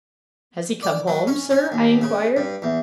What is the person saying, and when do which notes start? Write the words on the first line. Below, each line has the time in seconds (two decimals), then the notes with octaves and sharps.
'Has he come home, sir?' I inquired.
0.83 D5
1.07 F#3
1.27 C#4
1.51 C#4
1.72 D#2
2.02 C#3
2.37 G2
2.62 E2